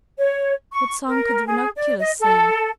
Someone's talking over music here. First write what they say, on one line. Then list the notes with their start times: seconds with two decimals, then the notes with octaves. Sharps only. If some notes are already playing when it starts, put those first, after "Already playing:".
What song could the Ranunculus sing?
0.18 C#5
0.72 C#6
1.07 A#4
1.47 G#4
1.76 D5
1.99 D#5
2.20 A4